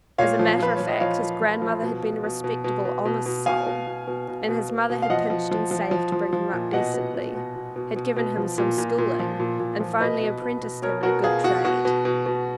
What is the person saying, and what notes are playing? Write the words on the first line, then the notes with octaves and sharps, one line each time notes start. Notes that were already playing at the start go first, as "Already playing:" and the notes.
As a matter of fact, his grandmother had been a respectable, honest soul, and his mother had pinched and saved to bring him up decently, had given him some schooling, and finally apprenticed him in a good trade.
A#2 C#5 F5
F3
F3 B4
F3 C#5
D#5
F3 C#5 F5
F3
F3
F3
B2
B2
B2
B2
B2
B2
B2
B2
B2 F5 G#5
B2
B2
B2
B2
B2
B2
B2
F5
F3 D#5 F#5
F3
F3
F3
F3
F3
F3
A#2
B2 D#5 F#5
B2
B2
B2
B2
B2
B2
B2
F3
A#2
A#2
A#2
F3
A#2
A#2
F3
B2 B4 D#5
B2
B2
B2
B2 A#4 C#5
B2 F#4 A#4
B2 F4 G#4
B2 F#4
B2 F#4
B2
B2
B2